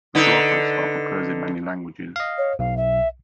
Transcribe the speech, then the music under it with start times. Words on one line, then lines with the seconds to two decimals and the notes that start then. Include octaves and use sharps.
The glottal stop occurs in many languages.
0.15 D3 D#4 B4
2.16 D#5 F5
2.38 C#5
2.59 B1 F5
2.77 E5